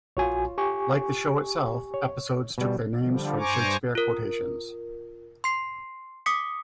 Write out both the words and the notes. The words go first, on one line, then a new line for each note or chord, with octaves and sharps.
Like the show itself, episodes took their names from Shakespeare quotations.
A#1 F4 F#4 C#5 G#5
G4 G#5 C#6
C#5
B2 G3
D3 F3 G3
G2 C5 G#5 A#5 C#6 D6
F4 A#4
C6 C7
D6 D#6 B6 C#7